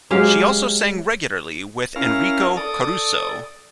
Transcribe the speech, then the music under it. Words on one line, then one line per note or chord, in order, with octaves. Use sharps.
She also sang regularly with Enrico Caruso.
F#3 G#3 G4 F5
C#4 E4 A#4 F5
A4 D5 D#6